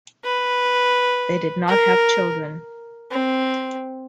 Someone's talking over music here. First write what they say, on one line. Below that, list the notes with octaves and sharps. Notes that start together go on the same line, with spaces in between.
They did not have children.
B4
A#4
C4